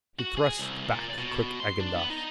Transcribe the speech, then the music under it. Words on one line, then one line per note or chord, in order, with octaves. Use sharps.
He thrust back quick Agendath.
F#4
G#4
C2
A#2
B2
C6
D4
B3
D#4